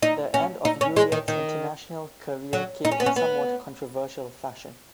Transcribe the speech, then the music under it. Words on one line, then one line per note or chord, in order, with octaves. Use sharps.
The end of Ulyett's international career came in somewhat controversial fashion.
D#4
C#4
D#4
C#4
G#3
D#3
D#3
F#3
D#4
C#4
B3
C#4
B3